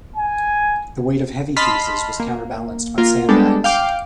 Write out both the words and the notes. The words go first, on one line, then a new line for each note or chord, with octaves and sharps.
The weight of heavy pieces was counterbalanced by sandbags.
G#5
D#5 A5 B5 C6 F6 B6
A#3
A#3 F4 A#4
G3 G#3 B3 D4 G4 A4
F5 G5 D6